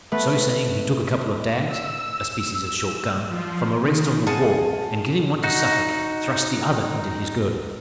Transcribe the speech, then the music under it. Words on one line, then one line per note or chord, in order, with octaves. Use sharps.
So saying, he took a couple of dags--a species of short gun--from a rest on the wall, and giving one to Suffolk, thrust the other into his girdle.
A3 B3 B4
E6
F3
D#3
F4 G#4 F#5 A5
D#4 F#4